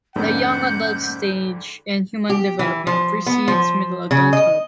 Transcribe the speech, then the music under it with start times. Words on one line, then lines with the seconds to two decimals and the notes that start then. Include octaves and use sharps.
The young adult stage in human development precedes middle adulthood.
0.16 F2 G#2 D3 G#3 A#3 C#4 F#5 G6
2.30 G4
2.59 E3
2.87 F3
3.26 B3
3.48 F3
4.11 C#3
4.33 D#5